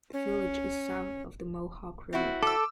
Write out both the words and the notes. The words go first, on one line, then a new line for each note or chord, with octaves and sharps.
The village is south of the Mohawk River.
C#4
C4 E4 F#4
A4 D6 E6